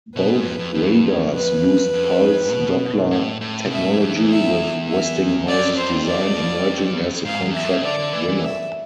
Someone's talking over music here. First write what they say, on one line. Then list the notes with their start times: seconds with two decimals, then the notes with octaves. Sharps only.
Both radars used pulse-Doppler technology, with Westinghouse's design emerging as the contract winner.
0.15 B2 B4
0.30 G#2
0.45 F2
0.59 F2
0.74 F2
1.34 B4
1.93 F2
2.52 B2
3.11 A2
3.41 A2
3.65 C3
3.70 B2 E5
3.85 A2
4.00 F2
4.14 E2
4.29 E5
4.89 E5
5.48 F2 D5
5.77 C5
6.06 D5
7.25 G#2 F5
7.45 E2
7.54 E5
7.65 F2
7.83 D3 D5
7.99 D3
8.13 E3
8.28 E3
8.43 E5